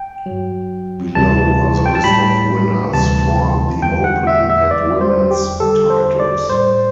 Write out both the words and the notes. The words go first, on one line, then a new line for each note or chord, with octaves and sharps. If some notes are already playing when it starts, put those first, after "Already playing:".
Below are the list of winners for the Open and Women's titles.
Already playing: G5
G2 F#3
D2 C3 E3 G3 A5
G5
A5
A2 G3 B5
D2 C3 E3 G3 A5
E2 D3 G3 G5
F#5
E5
E5
E2 D3 G3 D5
C5
G4
E2 D3 G3 A4
C5
D5
A2 G3 C5